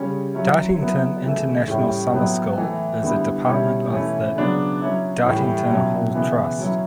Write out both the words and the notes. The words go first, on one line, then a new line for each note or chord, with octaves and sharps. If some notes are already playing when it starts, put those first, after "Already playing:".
Dartington International Summer School is a department of The Dartington Hall Trust.
Already playing: C#3 G3 C#4
F#3 C#4 E4
F#3 B3 E4
C#3 E3 A3
A2 G3 C#4 E4
A2 F#3 B3 E4
E3 A3 E4
D3 G3 B3 E4
B2 G3 C#4 E4
E3 A3 C#4 E4
C#3 F#3 B3 D4
F#3 C#4 E4
A2 E3 G3
B2 F#3 C#4 E4
C#3 E3 B3
F#3 C#4 E4